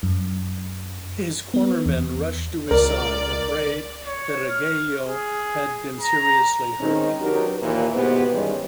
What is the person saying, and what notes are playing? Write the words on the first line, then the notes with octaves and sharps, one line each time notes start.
His cornermen rushed to his side, afraid that Arguello had been seriously hurt.
F#2
B3
E2
C#2 A#4 D5
C#5
F6
G#4
A#5
D#3 G#3 C4 C#4 D#4
F#3 D4 D#4 G4 A#4 B4
D#2 A#2 E3
G#2 B2 E3 B3 G4 C5
G2 D#3 E3 G3 G#3 C#4